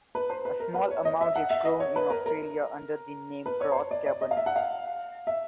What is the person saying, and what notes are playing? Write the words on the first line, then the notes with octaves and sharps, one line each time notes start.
A small amount is grown in Australia under the name Gros Cabernet.
B4
C5
B4
A#4
B4
C#5
D#5
E5
F#5
E5
D#5
C#5
B4
A#4
A#4
B4
C#5
C5
C#5
D5
D5
D#5
F5
E5
F#5
F5
E5